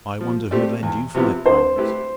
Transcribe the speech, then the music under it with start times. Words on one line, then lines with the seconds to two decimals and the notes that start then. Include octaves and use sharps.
I wonder who'd lend you five pounds?
0.21 F3
0.51 A3 C4 G4 D5
0.83 E2
1.15 C3 F3 B3 E4
1.46 D3 C5
1.76 A3 E4 G4 B4